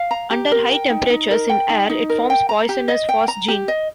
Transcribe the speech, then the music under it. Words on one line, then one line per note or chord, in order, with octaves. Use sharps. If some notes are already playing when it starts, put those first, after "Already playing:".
Under high temperatures in air, it forms poisonous phosgene.
Already playing: F5
A#5
G4
A#4
G5
D#4
D#4
A#4
G5
D#4
D#4
A#4
G5
A#5
G4
D#5
G5
A#5
G4
D#5